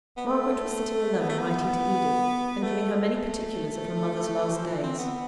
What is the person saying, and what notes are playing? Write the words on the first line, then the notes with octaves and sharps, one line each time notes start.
Margaret was sitting alone, writing to Edith, and giving her many particulars of her mother's last days.
B3
A3
B3
A3
B3
A3
F3
E3
C4
B3